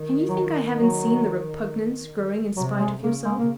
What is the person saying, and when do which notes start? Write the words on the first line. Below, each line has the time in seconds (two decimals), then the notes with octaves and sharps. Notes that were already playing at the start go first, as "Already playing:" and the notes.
Can you think I haven't seen the repugnance growing in spite of yourself?
Already playing: D#3
0.28 F#3
0.74 F#3
2.57 C3 F#3
2.79 G#3
3.03 C#3 A#3
3.25 G#3
3.38 A#3